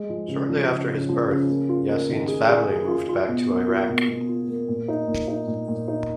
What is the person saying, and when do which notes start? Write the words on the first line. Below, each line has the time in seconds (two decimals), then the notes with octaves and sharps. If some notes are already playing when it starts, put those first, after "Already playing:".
Shortly after his birth, Yasin's family moved back to Iraq.
Already playing: G#3
0.09 F3
0.28 C#3
0.49 F3
0.68 C#3
0.88 C#3
1.09 F3
1.29 C#3
1.49 A#3
1.69 F4
1.89 A#3
2.09 D#3
2.28 G#4
2.49 G#4
2.69 G#4
2.88 F4
3.09 F4
3.28 B2
3.48 A#3
3.68 F4
3.89 B2
4.08 B2
4.29 F4
4.48 A#3
4.68 A#2
4.88 D#4
5.08 A#2
5.28 D#4
5.47 A#2
5.68 A#2
5.88 D#4